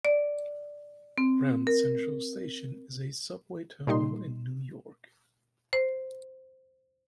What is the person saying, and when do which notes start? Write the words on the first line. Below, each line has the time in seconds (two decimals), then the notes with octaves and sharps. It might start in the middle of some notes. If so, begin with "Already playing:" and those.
Grand Central Station is a subway terminal in New York.
0.05 D5
1.18 C4
1.67 A#4
3.87 A#2 G3 D#4 C6
5.73 C5